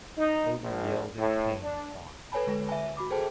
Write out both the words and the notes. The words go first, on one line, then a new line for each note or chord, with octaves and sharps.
Odin yelled in pain and fought.
D#4
A#1
A2
D4
A4 B4 C#5 G#5 A5 B5
D3 G#3 B4 A#6
E5 G#5
F#4 B5 D6
G#4 A4 C5 G5 A5